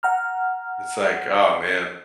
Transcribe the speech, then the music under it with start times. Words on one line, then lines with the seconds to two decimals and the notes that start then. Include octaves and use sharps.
It's, like, oh, man,
0.03 F#5 A#5 F6